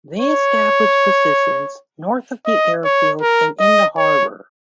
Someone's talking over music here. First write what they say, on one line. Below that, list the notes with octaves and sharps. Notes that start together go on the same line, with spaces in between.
They established positions north of the airfield and in the harbor.
C#5
D#5
C#5
A#4
D#5
C#5